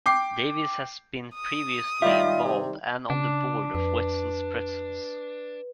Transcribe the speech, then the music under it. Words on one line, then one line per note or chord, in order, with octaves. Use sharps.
Davis has been previously involved and on the board of Wetzel's Pretzels.
G5 D6 C7
D#6
D#3 G3 F4 G4 D#5 E5
C3
C#3 D4
F2 B4